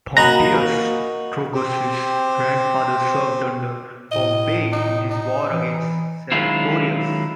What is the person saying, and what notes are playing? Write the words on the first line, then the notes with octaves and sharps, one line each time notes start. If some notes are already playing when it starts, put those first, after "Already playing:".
Pompeius Trogus's grandfather served under Pompey in his war against Sertorius.
A#3 D#4 F#4 G#5 A#5 B5 F#6
C4 G4 C5
A2 D#5
D#4
D#4
E3
D#3 F#3 G#3 C#4 E4 F4